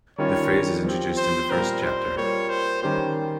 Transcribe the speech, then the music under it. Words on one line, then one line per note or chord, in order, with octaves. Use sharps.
The phrase is introduced in the first chapter.
D#3 G3 C#4 F4 C#5
F3 C4 G4
C5
A#2 G3 C4 A#4
C5
G3 A#3 F4 C#5
C5
D#3 G3 C#4 G4 C5